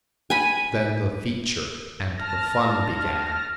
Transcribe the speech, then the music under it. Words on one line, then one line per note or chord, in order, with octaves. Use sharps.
Then the "feature" and the fun began.
G#5 B5
A5 F6 A#6